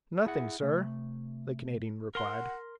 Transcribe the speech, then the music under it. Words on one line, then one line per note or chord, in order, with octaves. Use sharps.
"Nothing, sir," the Canadian replied.
E4 G#4 E5 F#5
C3 A3
A#4 F#5 C6